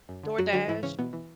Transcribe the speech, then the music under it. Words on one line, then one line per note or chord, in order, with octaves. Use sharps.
DoorDash an
F#2
D3
F#2 F#3 F#4
D3 F#3 F#4
G#2 E3 E4
C#3 E3 C#4
B2 E3 B3
E3